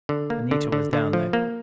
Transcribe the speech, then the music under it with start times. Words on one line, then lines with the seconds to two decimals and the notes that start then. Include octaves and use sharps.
Anita was down there.
0.09 D3
0.30 A#3
0.51 D3
0.72 D3
0.93 D3
1.13 F3
1.33 A#3